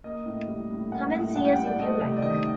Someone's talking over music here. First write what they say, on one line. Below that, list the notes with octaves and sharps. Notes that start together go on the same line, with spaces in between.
Come and see us if you like.
A#3 D#5
A2
G3
A2
A#3 F#5
A2
G3 F#5
G5
A2 F#5
D5
A3 D#5
C3
D5
D#3 D#5